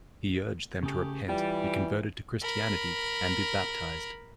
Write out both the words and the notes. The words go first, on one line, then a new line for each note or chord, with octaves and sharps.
He urged them to repent, be converted to Christianity, and be baptized.
C#3 A3 G4 G#4
E3 G3 F4 G5
A#4 B5